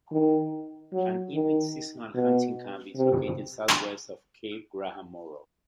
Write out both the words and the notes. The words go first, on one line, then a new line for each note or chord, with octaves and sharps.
An Inuit seasonal hunting camp is located southwest of Cape Graham Moore.
D#3
F#3
D#3
B2
C3